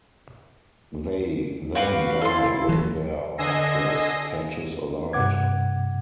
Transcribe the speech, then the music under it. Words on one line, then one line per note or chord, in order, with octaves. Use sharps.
They then die when their mattress catches alight.
F#4 G4 B4 F5
E4 A4 C6
E3 F#3
D3 D#5 G#5 E6 A#6 C7
G2 C3 F#5 D6 G#6